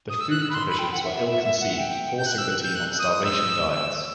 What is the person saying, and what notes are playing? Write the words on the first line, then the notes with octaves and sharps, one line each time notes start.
The food provisions were ill-conceived forcing the team on starvation diets.
D#6
E6
F#6
E6
B5
C6
B5
G5
F#5
E5
E5
E5
E5
F#5
G5
G6
F#6
E6
G6
F#6
D#6
D#6
E6